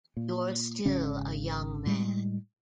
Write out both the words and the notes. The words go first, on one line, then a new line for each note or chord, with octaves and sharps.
You're still a young man.
A#2
G#1 G#2 C#3 C#4
A2 G3 G#3